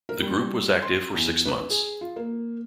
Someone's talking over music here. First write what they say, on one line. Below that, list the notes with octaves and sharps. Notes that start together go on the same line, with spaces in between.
The group was active for six months.
A#4
G3
C6
E2
B4
G#4
F4
A#3